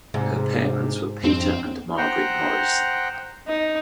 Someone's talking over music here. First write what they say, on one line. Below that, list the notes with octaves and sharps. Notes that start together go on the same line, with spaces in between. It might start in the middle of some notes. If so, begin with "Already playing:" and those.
Her parents were Peter and Margaret Morris.
G#2 C3
F2 C4
C5 F#5 G5 A#5
D#4